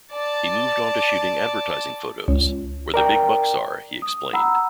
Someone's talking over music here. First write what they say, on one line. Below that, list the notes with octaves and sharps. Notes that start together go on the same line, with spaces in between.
He moved on to shooting advertising photos, "where the big bucks are," he explained.
D5 A5
C#2
A#4 D5 G5
D#6
F#5 A#5 B5 E6